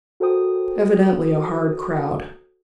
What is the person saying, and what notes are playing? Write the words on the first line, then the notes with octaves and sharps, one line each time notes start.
"Evidently a hard crowd."
F#4 A4 A#4 C5 G5 D#6